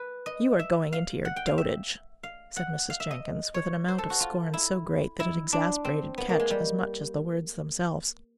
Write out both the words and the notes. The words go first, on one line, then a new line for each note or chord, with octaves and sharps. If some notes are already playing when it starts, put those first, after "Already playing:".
"You are going into your dotage," said Mrs. Jenkins, with an amount of scorn so great that it exasperated Ketch as much as the words themselves.
Already playing: B4
D#5
E5
F5
F#5
G5
F5
E5
F5
F#5
F5
E5
D#5
C#5
C5
A4
F#4
F4
E4
E4
D4
C4
B3
A#3
G#3
G3